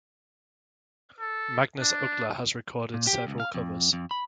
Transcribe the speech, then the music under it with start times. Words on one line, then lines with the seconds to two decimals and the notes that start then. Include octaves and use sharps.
Magnus Uggla has recorded several covers.
1.20 A4
1.80 D4
2.94 A#2
3.07 G4
3.27 C#2
3.40 F5
3.54 F2
3.93 F2
4.11 B5